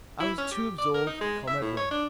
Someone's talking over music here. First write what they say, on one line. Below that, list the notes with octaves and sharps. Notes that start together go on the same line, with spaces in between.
'I was too absorbed with Comrade Waller.
E4
C#4
G4
D5
A#4
D#4
G#3
E5
A2
C#5
D4